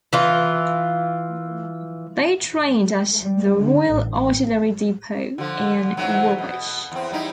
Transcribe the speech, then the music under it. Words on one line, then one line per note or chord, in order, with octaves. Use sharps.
They trained at the Royal Artillery Depot in Woolwich.
E3 F4
G3
D3
A1
D3 F3
G#2 E3 F#3
B2
E2 C4
G3 D#4 E4